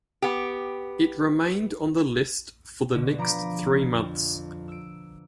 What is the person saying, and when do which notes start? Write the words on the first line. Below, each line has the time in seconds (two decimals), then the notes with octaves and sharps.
It remained on the list for the next three months.
0.22 B3 G4
2.95 B2 D3
3.18 F3 A#5 B5 D6
3.92 F2
4.68 E6 D7